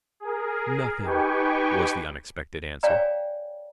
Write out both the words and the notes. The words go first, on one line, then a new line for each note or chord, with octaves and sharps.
"Nothing," was the unexpected answer.
G#4 A#4
D#4 G4 B4 G5 G#5 C#6
C#5 D5 F5 G5 G#5 A#5